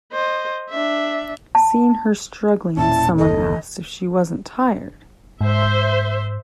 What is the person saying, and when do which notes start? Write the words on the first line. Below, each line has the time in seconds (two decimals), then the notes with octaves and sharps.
Seeing her struggling, someone asked if she wasn't tired.
0.12 C5 D#5
0.70 D4 E5
1.55 A5
2.77 E1 A#2 C#4 E4 A5
3.18 F#1 D#2 A4 D#5
5.41 G#2 C5 E5